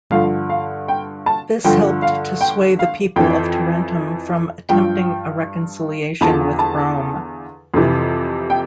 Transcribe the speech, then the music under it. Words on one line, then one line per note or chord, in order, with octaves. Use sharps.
This helped to sway the people of Tarentum from attempting a reconciliation with Rome.
G2 D3 F3 F5
F5
G5
A5
G2 D3 F3 G5
F5
G5
F5
F2 E3 G5
G2 F3 G5
E2 D3 F3 A5
A5
F2 C3 E3
G5